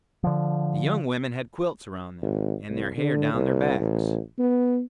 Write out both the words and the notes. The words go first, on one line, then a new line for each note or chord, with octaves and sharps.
The young women had quilts around them, and their hair down their backs.
D3 F3
G#1
C2
D3
C2
A1
B3